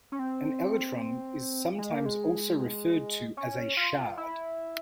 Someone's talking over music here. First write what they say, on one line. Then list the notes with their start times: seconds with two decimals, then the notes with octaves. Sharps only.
An elytron is sometimes also referred to as a shard.
0.12 C#4
0.19 C4
1.78 G#3
1.92 A#3
2.06 G#3
3.37 C#4
3.77 F4
4.17 E4